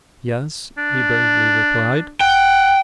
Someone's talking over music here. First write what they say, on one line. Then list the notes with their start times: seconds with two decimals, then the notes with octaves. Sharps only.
"Yes," he bravely replied.
0.78 D4
2.21 F#5 G5